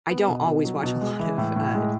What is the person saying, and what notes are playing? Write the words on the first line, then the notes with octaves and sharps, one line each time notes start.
I don't always watch a lot of, uh,
B3
B2
B2
F#3
B2
G#3
E3
A2
A2
G#3